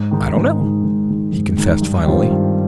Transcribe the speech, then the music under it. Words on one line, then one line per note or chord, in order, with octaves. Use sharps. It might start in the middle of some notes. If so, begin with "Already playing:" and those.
"I don't know," he confessed finally.
Already playing: G#2
D#3 G#3 D#4
G#2
D#3 G#3 D#4
G#2
D#3 G#3 D#4
G#2
D#3 G#3 D#4
G2
D#3 G3 C4 F4
G2